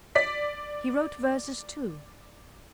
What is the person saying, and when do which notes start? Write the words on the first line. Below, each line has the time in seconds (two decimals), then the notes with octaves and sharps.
He wrote verses too.
0.15 D5 B6